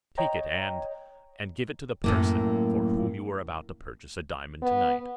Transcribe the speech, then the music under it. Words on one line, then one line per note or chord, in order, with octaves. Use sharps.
Take it, and--and give it to the person for whom you were about to purchase a diamond to-night.
C#5 D#5 G5 A#5
F#2 A2 A#3
B3